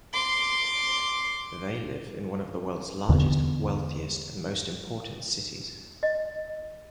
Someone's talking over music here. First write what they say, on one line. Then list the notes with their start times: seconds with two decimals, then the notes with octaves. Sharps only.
They live in one of the world's largest, wealthiest, and most important cities.
0.13 C6 D6
3.09 E2 D3
6.03 D#5